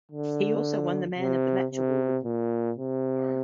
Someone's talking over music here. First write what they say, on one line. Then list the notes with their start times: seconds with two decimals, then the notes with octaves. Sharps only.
He also won the man of the match award.
0.12 D3
1.18 C3
1.71 C3
2.25 A#2
2.78 C3